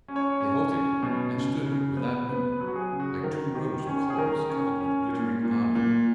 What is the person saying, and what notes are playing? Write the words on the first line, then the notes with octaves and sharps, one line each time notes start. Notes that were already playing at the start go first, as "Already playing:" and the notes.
They halted and stood without movement, like two rows of columns covered with glittering armor.
C#4
C#5
C#4
C#4
B2
C#3
C#3
B3
B3 B4
B4
F#3
F#4
G#4
C#3
F#4
D#3 A#4
D#3
C#4
G#4
D#3 A#4
C#4
C#4
A#2
A#2
A#2